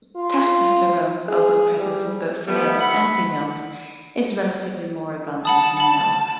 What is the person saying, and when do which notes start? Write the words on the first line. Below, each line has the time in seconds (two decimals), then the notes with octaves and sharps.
Testosterone, although present in both males and females, is relatively more abundant in males.
0.16 F4
1.28 G#4
1.78 G3
2.48 G3 A3 B3
2.79 E5 F#5 B5
5.45 F#5 A5 B5 D#6
5.77 F#5 A5 B5